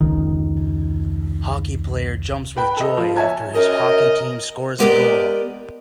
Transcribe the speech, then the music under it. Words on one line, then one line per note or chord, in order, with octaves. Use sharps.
Hockey player jumps with joy after his hockey team scores a goal.
F1 C#2 D#3
B4 G5 B5
A4 D#5
F3
C#5 E5 G#5 A5 G#6
F#2 A#4 D#5
G#3 B3 G4 A#4 D5 D#5